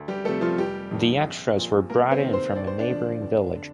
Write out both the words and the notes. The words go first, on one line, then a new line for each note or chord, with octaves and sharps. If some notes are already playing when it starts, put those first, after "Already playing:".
The extras were brought in from a neighboring village.
Already playing: D2
G3 G4
C3 F3 A3 A4
F3 F4
F1 G3 G4
F2 C3 D#3
A#1
A#2 F3
C2 A#3 A#4
C4 C5
C3 D#3
C4 C5
D#2 D5
C5
D4 D5
D3 F3
F1
D3